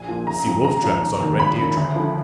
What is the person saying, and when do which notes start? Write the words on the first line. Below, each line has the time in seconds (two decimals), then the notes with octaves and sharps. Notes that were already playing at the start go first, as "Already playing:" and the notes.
See wolf-tracks on red deer trail.
Already playing: A#1 G#5
0.08 A#2 F3
0.27 F#1 A#5
0.46 F2 F3
0.64 G#1 A#5
0.83 F#2 F3
1.02 F1
1.20 D#2 D#3
1.39 G#1 B5
1.58 F#2 D#3
1.77 D2
1.96 D3 F3